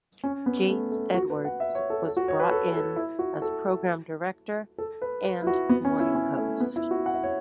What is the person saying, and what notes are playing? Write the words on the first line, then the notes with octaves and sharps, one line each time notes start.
Jace Edwards was brought in as Program Director and Morning Host.
C#4
B3
A3
A3
F#4
B4
F#5
E5
C#5
A4
A4
F#4
C#5
B4
A4
A4
E4
F#4
A4
A4
B4
B4
E4
F#4
B3
C#4
E4
C#4
A3
B3
E4
F#4
F#5
E5
C#5